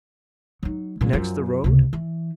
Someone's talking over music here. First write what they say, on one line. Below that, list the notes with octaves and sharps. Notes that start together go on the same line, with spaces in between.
"Next the road?"
F#3 D#4
A#2 F#3
F#2 F3
C#2 C3
E3